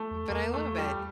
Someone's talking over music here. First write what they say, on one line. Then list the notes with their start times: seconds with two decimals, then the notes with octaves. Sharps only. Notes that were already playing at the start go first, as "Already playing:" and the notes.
but I love it.
Already playing: A3
0.11 E2
0.30 E2 A#3
0.54 A3
0.78 G3